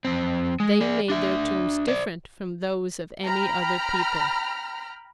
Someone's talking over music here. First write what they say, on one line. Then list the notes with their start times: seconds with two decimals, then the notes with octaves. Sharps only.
They made their tombs different from those of any other people.
0.05 F2 C4
0.60 G#3
0.81 G#4 D5
1.10 D4 E5
1.88 C5 D5
3.24 G5 A#5 B5 F6